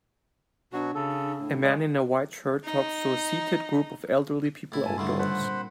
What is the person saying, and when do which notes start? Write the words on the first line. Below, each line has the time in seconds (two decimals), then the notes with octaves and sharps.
A man in a white shirt talks to a seated group of elderly people outdoors.
0.73 B2 F#3 D4 F#4
0.95 C#3 A4
1.39 A2
1.63 G#3 D5
2.64 D#4
4.72 A2 E4
4.86 G2 G#5 A5
4.98 C#2 D3 A3 E4 C6
5.19 C5 F#5 B5
5.40 A#2 C4